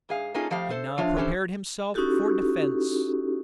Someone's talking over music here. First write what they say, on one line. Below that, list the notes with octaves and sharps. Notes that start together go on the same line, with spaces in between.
He now prepared himself for defence.
G#2 G#4 F5
A#3 C#4 D#4 F4 G#4 A4
F2 F3 A3 G4 F5
A4 C5
F3 D4 F4 C#5 E5
E3 C#4 G4 A4 C5
C#4 D#4 E4 F#4 G4 A4